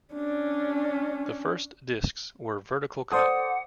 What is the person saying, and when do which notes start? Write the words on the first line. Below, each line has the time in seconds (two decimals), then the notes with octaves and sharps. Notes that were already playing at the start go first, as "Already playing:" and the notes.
The first discs were vertical cut.
0.14 C#4 D4
3.12 A4 C5 D5 F#5 D#6